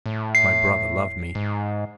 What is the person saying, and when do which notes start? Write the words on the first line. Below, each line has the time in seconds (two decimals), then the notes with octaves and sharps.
My brother loved me.
0.06 A2
0.35 C7
1.35 G#2